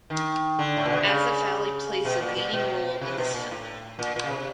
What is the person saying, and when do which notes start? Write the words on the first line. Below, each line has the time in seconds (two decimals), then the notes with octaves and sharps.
Asif Ali plays the leading role in this film.
0.10 D#3
0.59 D3
0.77 A2
0.85 A#2
0.93 B2
1.00 C3
1.07 C#3
2.05 B2
2.21 A#2
2.37 A#2
2.53 B2
3.01 C3
3.18 B2
3.34 A#2
3.51 A2
3.99 A#2
4.16 A#2
4.24 C#3
4.31 C3